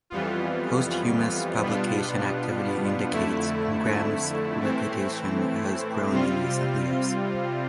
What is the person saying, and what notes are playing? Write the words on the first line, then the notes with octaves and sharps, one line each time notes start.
Posthumous publication activity indicates, Graham's reputation has grown in recent years.
F2 E3 G3 B3 F4
B2 G3 B3 D4 F4
F2 D3 A3 E4
A2 E3 A3 C4 E4
C3 G3 C4 F4